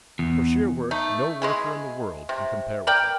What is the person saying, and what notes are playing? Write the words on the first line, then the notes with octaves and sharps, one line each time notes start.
For sheer work no worker in the world can compare with him.
E2
A3 D#4
G#3 E4 G#4
C3
A#4 D5 G5